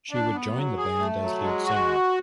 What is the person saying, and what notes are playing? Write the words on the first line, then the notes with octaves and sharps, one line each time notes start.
She would join the band as lead singer.
D4
B3
F#3
G#4
A3
F#3
G#3
F#4